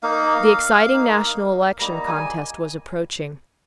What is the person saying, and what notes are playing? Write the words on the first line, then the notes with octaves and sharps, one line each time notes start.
The exciting national election contest was approaching.
A#3 D#4 F5
A#3 D#4
G3 A#3 D#4 A#5
G#5